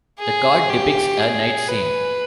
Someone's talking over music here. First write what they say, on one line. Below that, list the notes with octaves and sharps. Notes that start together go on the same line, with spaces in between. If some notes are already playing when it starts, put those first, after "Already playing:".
The card depicts a night scene.
G#4
G4
G#4
B4